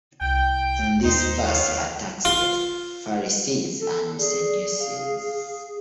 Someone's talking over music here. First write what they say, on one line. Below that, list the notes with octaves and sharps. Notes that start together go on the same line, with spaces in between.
In this verse he attacks the Pharisees and Sadducees.
C2 G5
D#2 D#4 C5
A2 B3 F5
F4
A4
G#4 D5
F5